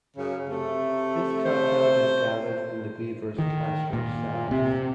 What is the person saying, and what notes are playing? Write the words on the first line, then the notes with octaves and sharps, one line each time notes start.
This compound is gathered from the beaver's castor sacs.
F#2 C#3
C3 A3
C5
D#3
A#2
C3